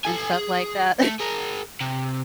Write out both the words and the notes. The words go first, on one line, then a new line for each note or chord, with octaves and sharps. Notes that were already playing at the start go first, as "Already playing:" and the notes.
and stuff like that.
A4 G#5
G#4
A3
G#4 A#4
C3